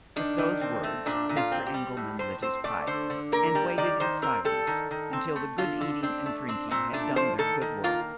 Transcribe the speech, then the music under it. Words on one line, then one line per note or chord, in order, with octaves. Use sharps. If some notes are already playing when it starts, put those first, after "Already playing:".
With those words Mr. Engelman lit his pipe, and waited in silence until the good eating and drinking had done their good work.
D#3 D4
D#3
C4
A3
A#2 D4
A#2
F4
C4
G4
G3
A2
A2 C5
C4 C5
A3 D5
D3 C5
D3
A#3 A#4
G3
D#3 D5
D#3 C5
C4 A#4
G3 A4
D#3
D#3
C4
A3
D3 F4
D3
C4 D4
A3
C4 D4
A#2 C4
A3 D4
F3 C5
D#3 A4
D#3
A#3 F4